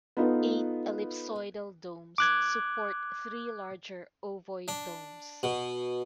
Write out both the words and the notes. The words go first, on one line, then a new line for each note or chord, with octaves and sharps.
Eight ellipsoidal domes support three larger ovoid domes.
B3 D#4 F4 A4 B4
D6 F#6 G#6
D4
B2